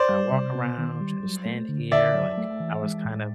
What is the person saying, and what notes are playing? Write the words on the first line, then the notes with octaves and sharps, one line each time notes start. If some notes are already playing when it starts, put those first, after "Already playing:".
should I walk around? Should I stand here?" Like, I was kind of
Already playing: C5 D5
G3
C3
B3
D#3
G3
F#3
A3
D3
D3 D5 E5
F#3
A3
E3
G#3
A2